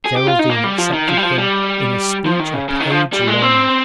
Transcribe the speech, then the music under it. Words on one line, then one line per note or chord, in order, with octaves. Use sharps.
Geraldine accepted him in a speech a page long.
G#4
G4
F4
D#4
A#3
G3
F3
D#3
F3
G3
F3
G3
F3
D#3
C#3
C#3
D#3
F3
G3
G#3
C4